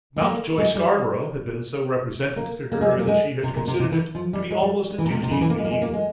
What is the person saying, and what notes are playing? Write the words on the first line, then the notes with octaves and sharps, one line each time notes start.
Mountjoy Scarborough had been so represented to her that she had considered it to be almost a duty to yield.
G#3
A#3
G#3
G3
A#3
A#3
G#3
G3
A#3
G#3
C3
A#2
C3
C3
E3
F3
G3
G#3
G3
E3
A#2
C3
C3
C#3
E3
A#3
G#3
A#3
G#3
A#3
G#3